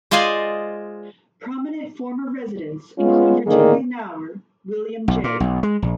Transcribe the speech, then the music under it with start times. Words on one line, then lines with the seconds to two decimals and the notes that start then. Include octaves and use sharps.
Prominent former residents include Virginia Knauer, William J.
0.11 G#3 F4 C5 D5 D#5 G#5
2.98 G#3 B3 C#4 F4
3.46 A2 D3 D#3 A#3 D4 G#4
5.08 B1
5.24 A#2
5.40 B1
5.63 G#3
5.82 A#1